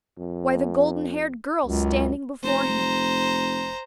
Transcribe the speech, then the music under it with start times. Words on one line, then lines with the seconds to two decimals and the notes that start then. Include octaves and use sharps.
Why, the golden-haired girl standing before him.
0.18 F2
1.66 C#2 F#2
2.43 F1 C5 A#5